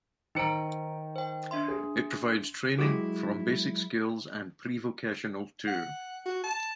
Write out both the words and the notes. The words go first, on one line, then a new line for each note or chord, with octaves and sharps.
It provides training, from basic skills and prevocational to.
D#3 D#4 C5 A#5 C#7 D7
C5 G5
D4 E5 C6
G#4
F#3 G#3 E4 F#4 G4
F#5
F#4
A5